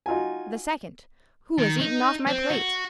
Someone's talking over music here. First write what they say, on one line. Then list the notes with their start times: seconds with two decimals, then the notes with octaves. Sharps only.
The second, "Who has eaten off my plate?"
0.06 D#4 F4 F#4 G#5
1.59 D#3
1.81 D#4
2.27 C4
2.50 F#4